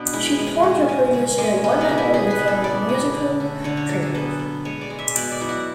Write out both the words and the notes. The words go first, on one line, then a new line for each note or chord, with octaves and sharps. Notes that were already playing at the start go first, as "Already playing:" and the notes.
She performed her previous hit "One Night Only", from the musical "Dreamgirls".
Already playing: B2 B3 D4
G#3 E4
G#3
C#4
G#3
G#3
C#3
G#3
B3 C#4
D4
C#3
E4
B3 G#4
B4
C#3
A4
B3 D5
C#3
D3
A3
D3 C#5
C#5
F#3 A4
G#4
B3 A4
B3
G#3 C#5
D5
G#3
E5
B2 D5
D5
F#3 E4
F#4